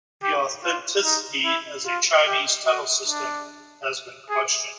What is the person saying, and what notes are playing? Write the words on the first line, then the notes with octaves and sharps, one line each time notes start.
The authenticity as a Chinese tunnel system has been questioned.
G4
F4
D#4
E4
F4
G4
F#4
D4
G#4